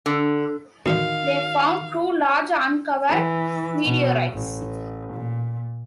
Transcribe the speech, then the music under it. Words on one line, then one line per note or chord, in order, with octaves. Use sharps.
They found two large uncovered meteorites.
D3
E2 A2 D3 D#3 F#4 F5
E3
B2
A1
A#2